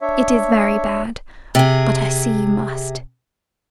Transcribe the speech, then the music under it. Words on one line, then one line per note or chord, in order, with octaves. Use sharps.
It is very bad--but I see you must.
D4 C#5 E5
C3 G#4